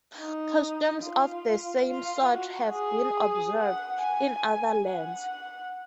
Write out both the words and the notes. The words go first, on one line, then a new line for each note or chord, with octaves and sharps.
Customs of the same sort have been observed in other lands.
D#4
F4
F4
F#4
G#4
F#5
G#5
F#5